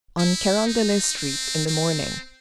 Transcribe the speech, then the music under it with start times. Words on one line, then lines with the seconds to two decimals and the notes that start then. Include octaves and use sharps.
On Carondelet Street, in the morning.
0.18 E4
0.67 D#4
1.17 C4
1.68 C4